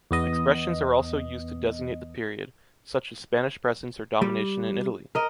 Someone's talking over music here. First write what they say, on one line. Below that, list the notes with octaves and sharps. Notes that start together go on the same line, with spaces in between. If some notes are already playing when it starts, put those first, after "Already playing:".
Expressions are also used to designate the period, such as Spanish presence or domination in Italy.
E2 B3 D#5
G3
A#4 D#5